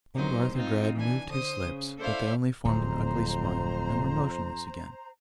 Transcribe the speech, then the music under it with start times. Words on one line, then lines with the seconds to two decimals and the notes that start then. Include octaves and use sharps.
Old Arthur Gride moved his lips, but they only formed an ugly smile and were motionless again.
0.16 E2 C3 F#3 D#4 A#4 C5
0.54 C4 D#4 F4
0.96 E3 D4 G#5
1.29 D3 C5 D#6
1.63 C#3
1.99 E4 A4 C5 D5 E5 F5
2.65 D1 F2 C5 A#5